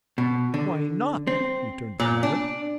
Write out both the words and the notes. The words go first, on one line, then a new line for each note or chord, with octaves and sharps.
"Why not?" returned the pilot.
B2
D3
C4
A#2
D4